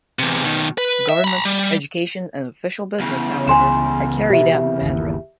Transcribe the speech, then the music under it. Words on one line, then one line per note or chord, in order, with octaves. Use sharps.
Government, education, and official business, however, are carried out in Mandarin.
E2 C3
B2 D#3
B4
E5
A#5 B5
G3
E2 C#3
C#2 G#5 C6 E7
B2 G4 E5
G1 D#2